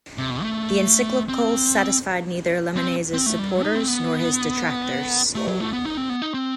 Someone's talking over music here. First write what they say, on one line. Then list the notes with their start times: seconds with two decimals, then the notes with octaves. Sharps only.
The encyclical satisfied neither Lamennais's supporters nor his detractors.
0.18 C3
0.30 B2
0.42 A3
1.29 C4
2.77 C4
3.14 C4
3.26 A3
3.39 G3
3.51 F#3
3.63 D#4
3.75 C4
3.88 B3
5.35 A3
5.48 F#3
5.60 A3
5.73 B3
5.85 D#4
5.97 C4
6.09 B3
6.22 D#4
6.34 C4